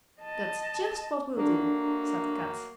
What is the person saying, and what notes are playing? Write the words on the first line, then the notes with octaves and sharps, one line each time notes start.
"That's just what we'll do," said Kat.
D#5 A5
F#3 A3 A#3 D4 A4